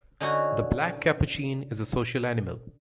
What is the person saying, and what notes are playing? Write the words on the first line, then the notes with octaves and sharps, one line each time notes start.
The black capuchin is a social animal.
D3 C#4 D#4 E4 F#4